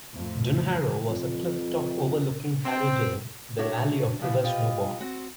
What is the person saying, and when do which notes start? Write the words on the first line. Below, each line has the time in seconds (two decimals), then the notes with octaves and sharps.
Dunharrow was a cliff-top overlooking Harrowdale, the valley of the river Snowbourn.
0.14 F2 A2 F3 A3
1.09 F2
2.65 C4
3.59 D4 F#4 C#5 E5 F#5
4.19 E3 F3 G3
4.43 B2 F4 G4 D#5
5.00 C4 F#4 F#5